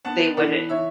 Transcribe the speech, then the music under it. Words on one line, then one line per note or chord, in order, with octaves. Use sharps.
they would i
B3 F#5 A5
E3 D5 F#5
E3 C#5 E5